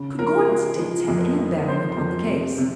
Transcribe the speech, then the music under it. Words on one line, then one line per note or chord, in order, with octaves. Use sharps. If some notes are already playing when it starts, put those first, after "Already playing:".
Could Gordon's debts have any bearing upon the case?
Already playing: C#3
F3 A#4
G#3
F3
F2
G#3
F2 C5
F2
C3
C3